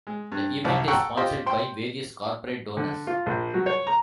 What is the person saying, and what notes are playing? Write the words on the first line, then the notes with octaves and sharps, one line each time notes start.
The event is sponsored by various corporate donors.
G#3
G2
C2 F#2 D5 A5
A4 F#5 G5 A#5 C#6
F4 G4 C5 D#5 F5
C5 G5 C6
D3
F4
A#1
F#3
C#5
A#5